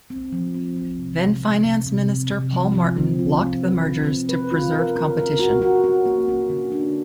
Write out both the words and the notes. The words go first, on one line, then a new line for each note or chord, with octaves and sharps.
Then Finance Minister Paul Martin blocked the mergers to preserve competition.
C4
F3
C4
F3
C3
C3
C3
C3
C3
C3
C3
F3
F3
C4
F4
C4
B4
C4
C4
B4
F4
A#4
C#4
A#4
F#4
F#4
C#4
A#3
C#4
D3
D4